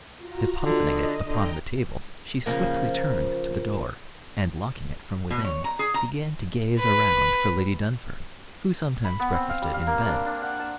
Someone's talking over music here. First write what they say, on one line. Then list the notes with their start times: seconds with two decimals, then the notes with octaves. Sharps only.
Depositing it upon the table, she swiftly turned to the door, and locking it from within, began to gaze around for Lady Dunfern, who sometimes breakfasted in bed.
0.17 F4 F#4 A#5
0.65 D3 D#5
1.24 D3 G5 A#5 G6
2.46 C#3 F3 A#3
5.31 B2
5.45 C#5
5.64 A#5
5.79 G#4
5.94 A#5
6.79 B4
9.04 B5
9.20 B3
9.34 C4
9.49 F5
9.62 G3
9.74 F5
9.87 A#3
10.08 D4
10.26 D4
10.42 F#5
10.60 A5